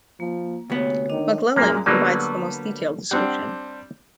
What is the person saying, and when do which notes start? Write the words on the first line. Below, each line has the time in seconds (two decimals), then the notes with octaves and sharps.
McClellan provides the most detailed description.
0.20 F3 A#3
0.70 D2 C3 B3 C#5
1.10 D#3 D4 D#5
1.56 F#2 A#2 G#3 A#3
1.86 D3 F#3 G3 A#3 B3
3.11 G3 C4 D4 F#5 G5